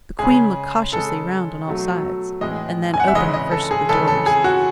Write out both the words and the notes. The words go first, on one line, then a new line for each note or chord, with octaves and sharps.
The Queen looked cautiously round on all sides, and then opened the first of the doors.
C#3 G#3 G#4
C#3 G#3 A4
B2 F#3 A3
A2 E3 G#3 D#5
G#5
F#5
E5
C#3 E3 G#3 D#5
D#5
A4
G#4
C#3 E3 G#3 A4
A4
G#4
F#4